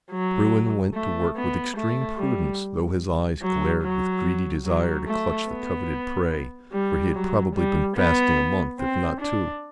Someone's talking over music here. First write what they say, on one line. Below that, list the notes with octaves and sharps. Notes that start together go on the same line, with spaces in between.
Bruin went to work with extreme prudence, though his eyes glared with greedy desire to clutch the coveted prey, for he had probably been fasting a month, if not two.
F#3
A3
B3
A3
G3
F#3
F#3
F#3
A3
B3
G3
F#3
G3
B3
C4
D4